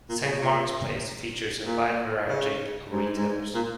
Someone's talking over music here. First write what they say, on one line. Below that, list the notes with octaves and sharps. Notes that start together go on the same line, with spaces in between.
Saint Mark's Place features a wide variety of retailers.
A#2
C#3
A#2
A#2
C#3
G#2
G#2
A#2